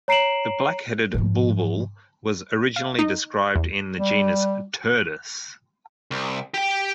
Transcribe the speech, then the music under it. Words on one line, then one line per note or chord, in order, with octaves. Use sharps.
The black-headed bulbul was originally described in the genus "Turdus".
C#5 A#5 C7 D7 E7 F#7
G#2 F3
F5
D#4
E2
G3
C2
G4 G5